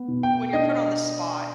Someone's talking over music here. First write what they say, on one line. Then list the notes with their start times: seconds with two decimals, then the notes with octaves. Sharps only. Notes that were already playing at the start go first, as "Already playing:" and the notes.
When you're put on the spot
Already playing: B3
0.08 B2
0.23 G5
0.53 D4 D#5